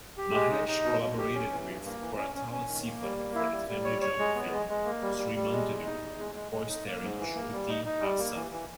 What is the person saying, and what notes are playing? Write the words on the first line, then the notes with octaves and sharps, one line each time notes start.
Mahesh collaborated with Koratala Siva for the family drama film "Srimanthudu" co-starring Shruti Haasan.
G4
G#3
D#4
D#4
B2
B2
G4
C#4
E3
G2
A#3
E3
C#4
C#4
C#4
D#3
A#3
G3
A#3
E4
G3
G3
C#5
C#5
G#3
B3
G#3
G#3
A#3
G3
G3
G3
G#3
E2
D#4
E2
G#3
G#3
G#3
D#4
A#3
G#2
E3
A#3
G3
D#4
D#4
G3
A#3
E3
E3